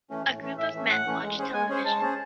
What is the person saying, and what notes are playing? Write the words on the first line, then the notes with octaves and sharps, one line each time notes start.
A group of men watch television.
E3 A3 C#4
A2
E3 A3 C#4
A2 E5
E3 A3 C#4
A2 F#5
E3 A3 C#4
G#3
C#4 G#4 C5
G#3 G#5
C#4 G#4 C5
G#3 A5
C#4 G#4 C5